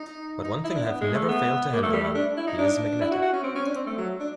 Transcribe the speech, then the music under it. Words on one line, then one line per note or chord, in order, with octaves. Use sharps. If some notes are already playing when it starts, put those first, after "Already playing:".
But one thing I have never failed to hand the man: he is magnetic.
Already playing: D#4
D#4
E4
D4
B3
G#3
A3
B3
A#3
A3
G3
A3
D4
E4
D#4
D4
E4
F#4
F#4
C#4
C4
C#4
D4
C4
A3
F#3
D4